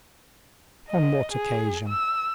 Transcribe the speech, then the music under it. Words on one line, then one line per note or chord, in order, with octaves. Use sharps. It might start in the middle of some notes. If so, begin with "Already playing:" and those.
"On what occasion?"
D#5
G#4
E6